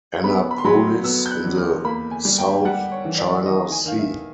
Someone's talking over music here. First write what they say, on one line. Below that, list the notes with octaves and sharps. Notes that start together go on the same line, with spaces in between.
Annapolis in the South China Sea.
B3 B5
B5
C6
F#3 B5
C6
B3 E6
G6
F#6
E2
F6
A#3 B5
G#5
G3
G5
G3 F#5
C#5
E3
D5
D#3 D#5
G#5
D#3 F5
E5